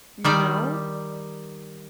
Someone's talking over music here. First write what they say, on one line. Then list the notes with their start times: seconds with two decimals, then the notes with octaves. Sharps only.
You know?
0.24 D#3 G3 D5